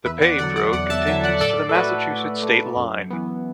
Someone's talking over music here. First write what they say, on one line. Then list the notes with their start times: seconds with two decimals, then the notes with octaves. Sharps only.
The paved road continues to the Massachusetts state line.
0.05 E2 B4 E5
0.22 D5 F#5
0.39 D3 D5 F#5
0.43 F#3
0.56 D5 F#5
0.73 E2 D5 F#5
0.90 E5 A5
1.07 D3 F#3 E5 A5
1.23 D5 F#5
1.41 A2 A4 D5
1.69 A4
1.75 A3 F#4 B4
2.10 A2
2.43 A3
2.77 F#2
3.10 E3 B3